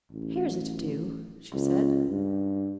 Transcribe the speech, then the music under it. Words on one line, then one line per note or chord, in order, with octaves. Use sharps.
"Here's a to-do," she said.
A1
C#2
G2